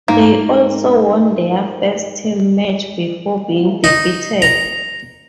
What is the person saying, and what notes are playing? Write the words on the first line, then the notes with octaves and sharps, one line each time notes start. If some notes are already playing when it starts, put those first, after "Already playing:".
They also won their first team match before being defeated.
G#2 A#3
D#4
A#5